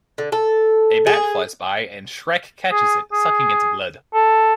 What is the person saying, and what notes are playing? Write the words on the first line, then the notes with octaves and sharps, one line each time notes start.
A bat flies by and Schreck catches it, sucking its blood.
D3
A4
G#4
G#4
G#4
A4